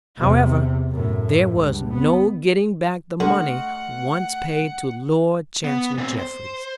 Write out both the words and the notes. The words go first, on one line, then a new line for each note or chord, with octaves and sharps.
However, there was no getting back the money once paid to Lord Chancellor Jeffreys.
E2 C3
F#2 A2
C#2 G2
B3
D3 A3 F#4 F#5 C6 F6
B3
A#2 C4
C5